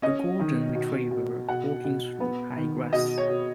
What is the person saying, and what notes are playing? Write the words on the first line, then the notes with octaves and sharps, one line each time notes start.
A golden retriever walking through high grass.
C#4 D#5
D#3
B2
B2
B2 F#5
B2
B3
D#3
B2 D#5
C#5
B2